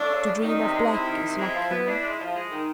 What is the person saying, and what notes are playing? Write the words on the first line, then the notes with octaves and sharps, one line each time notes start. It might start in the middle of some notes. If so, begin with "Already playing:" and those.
To dream of black is lucky.
Already playing: A3 D4
C#3
F#2
D#3 D#4
C3
G#3
C3 E4
D#3
C3
G#3 E4
F3
B3
D4 E4
G#3
F3
G#3
D#3